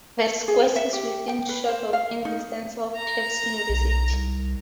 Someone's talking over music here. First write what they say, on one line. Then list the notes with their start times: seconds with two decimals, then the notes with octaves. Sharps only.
The square is within a short walking distance of Tufts University.
0.48 G#4
0.76 E5
0.93 G4
1.28 G5
1.49 B4
1.68 C5
1.93 F5
2.25 D#4
2.96 A#5
3.70 B1
4.10 C2